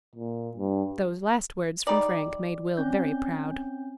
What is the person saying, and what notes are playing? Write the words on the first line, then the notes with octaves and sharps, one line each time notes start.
Those last words from Frank made Will very proud.
A#2
G2
G3 D#4 D5
C4 C#4 G6